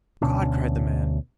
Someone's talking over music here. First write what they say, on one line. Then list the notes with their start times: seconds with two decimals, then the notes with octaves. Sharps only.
"God!" cried the man.
0.22 D2 B2 C#4 D4